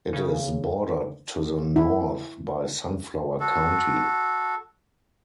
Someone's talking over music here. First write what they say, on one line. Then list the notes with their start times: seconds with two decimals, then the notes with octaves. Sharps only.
It is bordered to the north by Sunflower County.
0.13 C#3
1.76 E4
3.40 F#4 A4